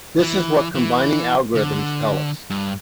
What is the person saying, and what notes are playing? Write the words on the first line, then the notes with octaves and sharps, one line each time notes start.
This is what combining algorithms tell us.
E3
E3
D3
G2